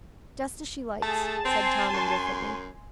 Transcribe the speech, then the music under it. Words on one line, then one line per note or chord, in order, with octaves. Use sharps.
"Just as she likes," said Tom indifferently.
A3 G#4 A5
C4 G#5 C6
F#2